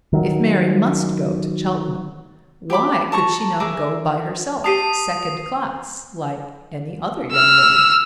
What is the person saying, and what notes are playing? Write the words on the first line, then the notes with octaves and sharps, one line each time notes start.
If Mary must go to Cheltenham, why could she not go by herself, second class, like any other young woman?
D#3 F#3
G4 G5 B5 D6
A5 A#5 C#6
G#4 A#4 E5 D6
G4 A5 D#6 C7 D#7
E6 F6